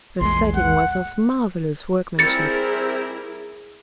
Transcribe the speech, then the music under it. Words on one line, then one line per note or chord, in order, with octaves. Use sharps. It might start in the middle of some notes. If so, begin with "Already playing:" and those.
The setting was of marvelous workmanship.
A#1 E2 G#3 C6
F#5
G3 C4 E4 G#4 A#4 A6 C#7